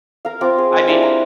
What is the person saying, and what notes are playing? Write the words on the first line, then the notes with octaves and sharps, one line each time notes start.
I mean
A#4 F5
C4 F4 A#4 D6
G#4
G#3 D6
D4 E4 G4
A#5